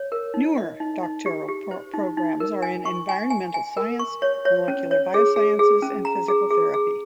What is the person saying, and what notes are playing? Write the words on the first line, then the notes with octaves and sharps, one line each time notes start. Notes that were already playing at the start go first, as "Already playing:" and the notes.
Newer doctoral programs are in environmental science, molecular biosciences and physical therapy.
Already playing: C#5
A#4
D#4
D#5
D#4
D#4
G4
G4
C5
D#4
D#4
A#4
G#5
C#6
G#5
G#5
G#5
A#4
C#6
C#5
C#5
C#4
C#5
G#4
G#4
G#4
C#4
A#5
G#4
G#4
G#4